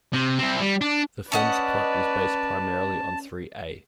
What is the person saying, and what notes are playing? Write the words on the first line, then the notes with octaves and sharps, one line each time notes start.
The film's plot is based primarily on three A.
C3
C4 E4
G3
D4
C#4 B4 D5 D#5 F#5 A5